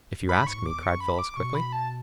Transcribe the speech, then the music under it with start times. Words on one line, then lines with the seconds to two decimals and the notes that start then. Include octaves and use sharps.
"If you ask me," cried Phyllis quickly.
0.21 E2
0.29 F#2 B5
0.42 G#2 C#6
0.57 A2
0.66 E2 D6
0.83 F#2 C#6
1.00 B5
1.19 D6
1.36 B2 C#6
1.55 B5
1.72 A5